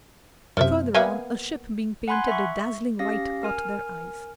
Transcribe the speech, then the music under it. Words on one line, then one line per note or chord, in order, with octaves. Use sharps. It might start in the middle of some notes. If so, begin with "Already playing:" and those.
Further on, a ship being painted a dazzling white caught their eyes.
F#2 C3 F3 D5 E5
A#3 B3 E5 F5 G#5
F#5 G#5 B5 C6 F#6 G#6
E5 C#6
C#4 G4 F5 A#6
A#4 G#5 F6